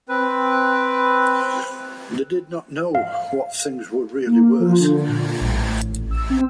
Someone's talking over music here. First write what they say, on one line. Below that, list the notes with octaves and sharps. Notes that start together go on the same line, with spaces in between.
They did not know what things were really worth.
C4 B4
F5
A#3
F3
D3
A#2
A1
A1
E6
C4